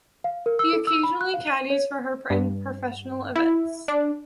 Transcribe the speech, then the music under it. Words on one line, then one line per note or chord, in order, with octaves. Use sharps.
He occasionally caddies for her in professional events.
F5
A#4
E6
A4
E6
B5
F#6
F5
D#7
C#5
G2
E4
D4